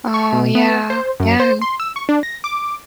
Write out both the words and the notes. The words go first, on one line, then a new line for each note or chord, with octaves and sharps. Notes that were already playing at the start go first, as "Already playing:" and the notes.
Oh, yeah, yeah.
C#6
B2
B3
C5
F#2
C5
C6
E6
C#6
D4
A#6
D6